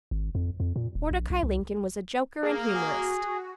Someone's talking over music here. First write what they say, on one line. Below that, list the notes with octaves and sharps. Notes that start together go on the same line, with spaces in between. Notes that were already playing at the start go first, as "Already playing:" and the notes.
Mordecai Lincoln was a joker and humorist.
G#1
F2
F2
A#2
D#1
A#1
B1
C2
A#3 G#4
F#4 G#4